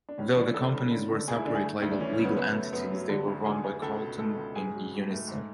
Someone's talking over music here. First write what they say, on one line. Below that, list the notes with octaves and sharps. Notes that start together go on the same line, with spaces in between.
Though the companies were separate legal entities, they were run by Carlton in unison.
D4
C#2 C#4
E3 D4
C#3 A4
C#3
D3
D3
D2 G#4
E4
D3 D4
G#4
A3
D2
D4
E3 C#4
C#4
C#3
B3
F#2 B3
A3
F#2 B3
F#3
D3
D2
D3 G#4
D2
C#2 A4
B2
G#3 A4
C#2
G#2 G#4
F#3
G#2
A3
G#2